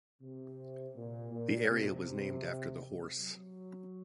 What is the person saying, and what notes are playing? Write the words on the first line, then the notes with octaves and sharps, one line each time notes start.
The area was named after the horse.
C3
A#2
A#2
C3
F#3